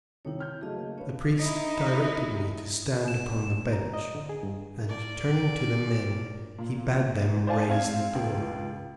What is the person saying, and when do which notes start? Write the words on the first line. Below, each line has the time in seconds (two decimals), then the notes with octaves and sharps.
The priest directed me to stand upon the bench, and turning to the men, he bade them raise the door.
0.25 C2 D#3 D#4 E4 C#5
0.40 F6 G6
0.61 C#3 F#3 A3 G#4 D#5
0.76 A#3
0.97 C#4 D4 B4 C#5 F5
1.38 D#4 E4
3.08 E7
3.73 A#5
3.94 D#5
4.15 D3
4.29 G#4
4.43 G2
4.87 A#4 D5
6.58 A#2
7.47 C5 D5 F5 G#5 A5
7.68 C4 F5 G#6
8.15 C#2